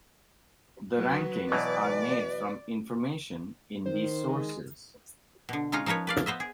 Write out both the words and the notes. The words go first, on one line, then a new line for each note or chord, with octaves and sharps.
The rankings are made from information in these sources.
F#3 B4
B2 E3 F#3 D5
D#3 C5
G#3
B2 D3
G#3 C#4 D#4 F4 A#5
F3 D#4 A#4 B4 C#5
B4 D5 F5
B3 C5 D#5 E5
G#4